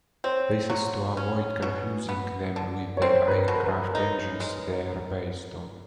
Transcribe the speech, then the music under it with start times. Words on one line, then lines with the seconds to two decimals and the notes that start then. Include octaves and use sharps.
This is to avoid confusing them with the aircraft engines they are based on.
0.24 C4 C#5
0.70 F#3
1.17 C#4
1.62 B2
2.09 B3
2.56 D3
2.97 C#5
3.02 C4 C5
3.28 B4
3.33 A#4
3.48 B2
3.54 A#4
3.64 B4
3.95 D#4
4.40 G#3